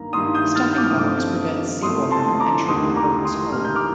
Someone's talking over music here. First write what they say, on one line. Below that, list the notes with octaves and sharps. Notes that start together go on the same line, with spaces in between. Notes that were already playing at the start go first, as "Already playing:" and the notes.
The stuffing box prevents sea water from entering the boat's hull.
Already playing: G2 D#3 A#3 A#5
G2 D#3 A#3 C6 D#6
D#6 G6
F6 A6
G6
D6 F6
D#6
G1 G2 F3 A3 C4 D6 F6
G1 G2 F3 A3 C4 C6 D#6
A5 C6
A#5 D6
F1 D#2 D3 G3 C6 D#6
A#5 D6
C6 D#6
F1 D#2 D3 G3 F6
G6
D6 F6